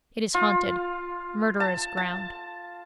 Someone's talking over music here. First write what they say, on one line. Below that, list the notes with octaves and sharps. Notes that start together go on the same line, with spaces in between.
It is haunted. Murderer's ground.
F4
A5
A5